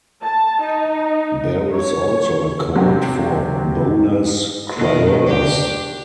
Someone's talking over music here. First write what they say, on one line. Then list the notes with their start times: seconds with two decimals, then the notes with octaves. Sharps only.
There is also a court for bolas criollas.
0.24 A5
0.62 D#4
1.72 C#5
2.75 C3 F#3 C4 D4 F#4 G4
4.75 B2 D#3
5.25 D4 G4